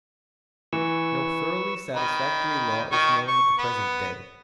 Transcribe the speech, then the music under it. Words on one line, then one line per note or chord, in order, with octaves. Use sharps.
No thoroughly satisfactory law is known at the present day.
E3 B4 C#6 E6
D#3 B5
D#3 C#6
C#6
B3 B4